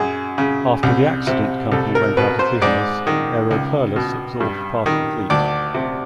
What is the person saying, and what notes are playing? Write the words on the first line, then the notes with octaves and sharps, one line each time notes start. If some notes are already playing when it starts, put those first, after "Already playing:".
After the accident company went out of business, Aeroperlas absorbed part of the fleet.
Already playing: F#2 G#4
C#3
C2
C3
C2 A4
A#4
B2 B4
C5
G#2 D5
D#3
C#2
B2
G2
D#3
D2 D5
C3